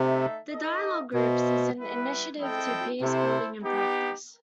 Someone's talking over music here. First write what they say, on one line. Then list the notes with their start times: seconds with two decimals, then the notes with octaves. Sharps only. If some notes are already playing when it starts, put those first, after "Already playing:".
The Dialogue Groups is an initiative to peace building in practice.
Already playing: C3 A3 D#4 A4 E5
0.51 D#4 A4 D#5
1.14 B2 F#4 C5 E5
1.77 G3 B3 E4 B4
2.38 C4 E4 A4 D#5 G5
3.01 C3 E4 A4 C5
3.63 B3 D#4 G4